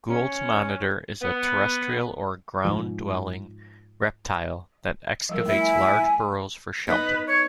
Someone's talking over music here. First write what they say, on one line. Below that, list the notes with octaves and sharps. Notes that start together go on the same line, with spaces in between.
Gould's monitor is a terrestrial or "ground-dwelling" reptile that excavates large burrows for shelter.
C#4
B3
G#2 F3
F3 G3 A#4
A3 E4
G#5
G#5
B3 D#4 B4 D#5
C#5